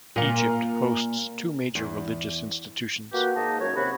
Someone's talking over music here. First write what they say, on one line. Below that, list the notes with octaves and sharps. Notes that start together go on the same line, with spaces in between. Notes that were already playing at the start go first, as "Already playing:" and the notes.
Egypt hosts two major religious institutions.
A#2 F4
E2
A#3 F#4 G4 B4
G#2 A#3 D#4 A5
F#2 C#5
D#2 C3 F#4 B5